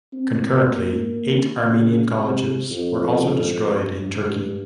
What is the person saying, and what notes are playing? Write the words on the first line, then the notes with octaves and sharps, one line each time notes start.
Concurrently, eight Armenian colleges were also destroyed in Turkey.
C4
A#3
C#3
C3
F2
G2